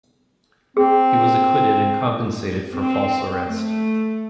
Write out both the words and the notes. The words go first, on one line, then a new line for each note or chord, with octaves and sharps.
He was acquitted and compensated for false arrest.
C4 G#4
C4
A3